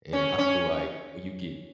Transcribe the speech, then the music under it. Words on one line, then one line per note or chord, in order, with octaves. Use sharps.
and I feel like you get
C#4
C#4